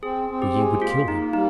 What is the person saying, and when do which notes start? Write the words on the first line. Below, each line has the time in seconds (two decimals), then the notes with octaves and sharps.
"For ye would kill him."
0.03 C4 G#4
0.29 C4
0.42 G4
0.55 G#3
0.82 A#3 F4
1.07 A#3 D#4
1.33 G3 D#4